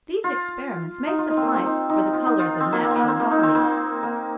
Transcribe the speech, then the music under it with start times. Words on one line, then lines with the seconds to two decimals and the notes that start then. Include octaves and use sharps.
These Experiments may suffice for the Colours of Natural Bodies.
0.24 F4
1.07 D#4
1.18 F4
1.30 D#4
1.37 C4
1.42 A#3
1.54 C4
1.66 D#4
1.89 D#4
2.13 F4
2.26 D#4
2.39 F4
2.60 C4
2.72 A#3
2.84 A#3
2.91 C4
2.96 A#3
3.08 C4
3.20 A#3
3.31 D#4
3.43 C4
3.55 A#3
4.03 A#3